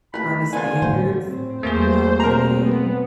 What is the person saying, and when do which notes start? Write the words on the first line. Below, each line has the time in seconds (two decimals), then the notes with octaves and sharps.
are the standards, you know, today.
0.14 A3 E4 A#4 B4 B5
0.53 D3 F3 B3 F4 A#4 G#5
0.82 A2 D3 F#3 A3 F#4 C5
1.22 A2 C4
1.63 E2 A3 A#3 G#4 C5
2.20 B2 C4 A#4 A#5
2.63 B3